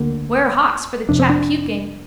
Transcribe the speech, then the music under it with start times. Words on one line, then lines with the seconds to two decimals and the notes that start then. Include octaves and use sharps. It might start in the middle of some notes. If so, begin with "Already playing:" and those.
Ware hawks for the chap puking.
Already playing: D2 D3 A#3
1.09 F2 C3 D4
1.20 C4
1.29 D4